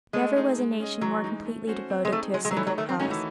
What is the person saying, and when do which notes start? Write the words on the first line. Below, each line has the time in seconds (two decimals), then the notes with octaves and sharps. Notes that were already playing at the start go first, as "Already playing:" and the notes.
Never was a nation more completely devoted to a single cause.
0.13 G#3 A3
0.36 D#4 G#4
0.58 G#3
0.80 C#4 G#4 D#5
1.01 E3 F#3
1.24 G#3 D#4
1.46 A3
1.67 C#4 F#4 C5
1.90 C4
2.05 G#3
2.12 A3 D#4 G#4
2.34 F#3 G#3
2.45 G#3
2.51 F#3
2.56 E3 A3 D#4 A4 C#5
2.67 F#3
2.78 D#3 A3
2.89 C4
2.99 A3 C#4 D#4 F#4 C#5
3.11 E3